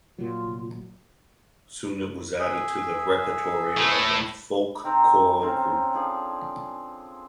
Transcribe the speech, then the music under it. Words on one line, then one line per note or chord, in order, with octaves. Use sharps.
Soon it was added to the repertory of a folk choral group.
A#2 F#3 F4
F1
G#4 E5
A2 A3
D#3 C4 A#4 C5
D#3 C4 C#4 A#4
D3 F3 G#4 C5